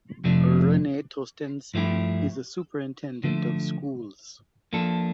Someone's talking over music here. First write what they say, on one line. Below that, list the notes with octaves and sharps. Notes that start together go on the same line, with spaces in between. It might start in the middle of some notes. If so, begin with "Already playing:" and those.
Renae Tostenson is the Superintendent of Schools.
F2 C3 F3 A3 D4
G2 F3 A3 E4 G4
D3 F3 A3
F3 A#3 D4 A4